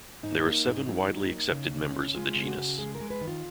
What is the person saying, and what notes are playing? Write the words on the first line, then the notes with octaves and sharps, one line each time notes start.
There are seven widely accepted members of the genus.
G#2 D#4
A#3
G#2
F#3 D#4
F#3
A#3
C#3
C#4
C#3
G#3 F4
C#3
F#4
C#3
G#3 G#4
A#4
G#3
B4
D#3
F4